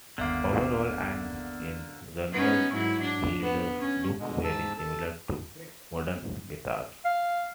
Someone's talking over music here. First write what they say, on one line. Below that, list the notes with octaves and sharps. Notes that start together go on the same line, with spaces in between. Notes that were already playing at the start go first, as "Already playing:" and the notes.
Overall and in general, vihuelas looked very similar to modern guitars.
G1 D#2 D3 A#3 B3 E5 F5
B3 C#4 D#4
G#2 F#3 E4
D4
B3
C#4
B2 D3 G#3
G#2 A5 E6
A4 A5
F5